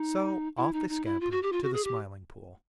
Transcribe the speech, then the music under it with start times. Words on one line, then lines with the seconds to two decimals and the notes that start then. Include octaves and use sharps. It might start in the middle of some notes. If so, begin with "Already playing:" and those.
So off they scampered to the Smiling Pool.
Already playing: D#4
0.57 E4
0.73 D#4
0.89 D#4
1.05 E4
1.21 F4
1.31 F#4
1.43 G4
1.52 F4
1.63 F#4
1.74 G#4
1.84 G4